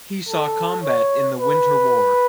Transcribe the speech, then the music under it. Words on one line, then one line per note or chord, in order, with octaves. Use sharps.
He saw combat in the Winter War.
A4
C#5
B4